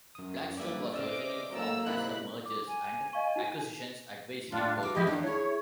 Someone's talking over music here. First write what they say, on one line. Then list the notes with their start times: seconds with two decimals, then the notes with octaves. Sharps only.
Blackstone was originally formed as a mergers and acquisitions advisory boutique.
0.15 F#2 D#6
0.57 G2 G3 A#3 E4 B4 D5 D6
0.93 C#4 C5 D5 D#5 D6 E6 F6
1.52 F#3 A#3 A4 A5 A#5 E6
1.86 G#2 C3 D#4 E4 A#4 B5 F#6
2.46 D6
2.67 G#5
3.13 D#5 F5 C#6
3.36 D#4 F#4
4.52 A2 D4 F4
4.83 F4 F#4 D6
4.95 G#2 F3 E4 G4 D#5 G#5
5.07 E2 D#3 D4 D#4 F5
5.23 E4 G#4 C#5